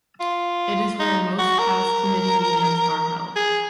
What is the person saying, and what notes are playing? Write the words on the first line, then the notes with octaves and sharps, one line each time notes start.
It is where most House committee meetings are held.
F4
D#4
F#4
A#4
G#4